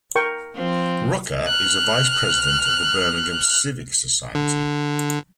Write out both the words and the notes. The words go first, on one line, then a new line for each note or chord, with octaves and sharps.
Rooker is a vice president of The Birmingham Civic Society.
A#4 G5 C#6
F3 C4
F6 F#6
D3